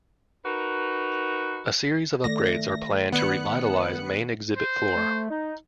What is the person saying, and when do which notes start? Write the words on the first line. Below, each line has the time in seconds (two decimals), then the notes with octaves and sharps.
A series of upgrades are planned to revitalize main exhibit floor.
0.45 D#4 F#4 A#4 B4
2.24 D#3 A3 D5 A#6
3.12 D#3 B3 D5 F#6 C#7
4.57 C5
4.96 A3
5.30 D#4